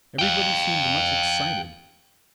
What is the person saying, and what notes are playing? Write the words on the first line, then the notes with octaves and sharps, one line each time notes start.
Everybody seemed much excited.
F5 G5